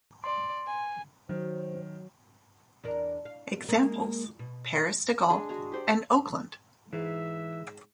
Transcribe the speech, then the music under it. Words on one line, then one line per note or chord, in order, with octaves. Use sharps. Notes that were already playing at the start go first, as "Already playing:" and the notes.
Examples: Paris-de Gaulle and Oakland.
D5 C6
G#5
D#3 F#3 C5
E2 D4 A#4
F5
G#3 A#3 A#4
B2
G#3 D4
G#3 F#4 G#4 A#5
G4 C5 D5
G#2 E3 E5